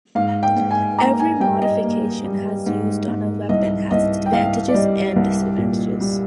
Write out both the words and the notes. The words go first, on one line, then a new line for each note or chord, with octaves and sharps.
Every modification has used on a weapon has its advantages and disadvantages.
G#2 F5
G5
G#2
G#5
A#3 A#5
G#5
G3 G5
D#5
A#3
G3
G#2
G#2
C2 D#5
C2 D#5
G5
C2 F5
D5
G3 D#5
C2
A#2
G3